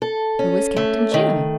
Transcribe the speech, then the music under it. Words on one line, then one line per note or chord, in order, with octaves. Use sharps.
"Who is Captain Jim?"
A4
C#4
A3
D#3